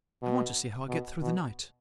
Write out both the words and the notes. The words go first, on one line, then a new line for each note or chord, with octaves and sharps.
I want to see how I get through the night.
B2
B2
B2